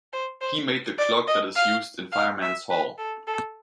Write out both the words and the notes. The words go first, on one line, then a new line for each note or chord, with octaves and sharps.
He made the clock that is used in Fireman's Hall.
C5
C5
D5
D#5
F5
F5
E5
B4
A4
A4